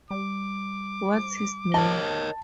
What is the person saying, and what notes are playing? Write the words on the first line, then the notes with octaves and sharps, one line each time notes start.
What's his name?
G3 D6
A#4 C#5 D#5 A5